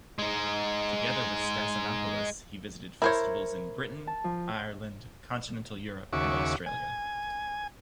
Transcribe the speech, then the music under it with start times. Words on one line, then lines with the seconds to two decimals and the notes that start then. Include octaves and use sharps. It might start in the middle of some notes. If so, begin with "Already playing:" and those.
Together with Stassinopoulos, he visited festivals in Britain, Ireland, continental Europe and Australia.
0.19 G#3 D#4
3.02 E4 A#4 C5 C#5
4.07 A5
4.24 F3
6.13 D#2 C#3 F#4 E5 C#6 D6
6.66 G#5